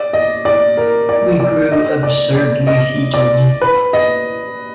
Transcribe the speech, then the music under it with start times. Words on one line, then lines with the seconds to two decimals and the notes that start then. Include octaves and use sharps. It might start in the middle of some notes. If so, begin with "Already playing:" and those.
We grew absurdly heated.
Already playing: D5
0.13 D#5
0.45 D5
0.77 A#4
1.09 D5
1.40 D5
1.72 D#5
2.03 D5
2.35 D5
2.67 D#5
3.14 D5
3.62 B4
3.93 D#5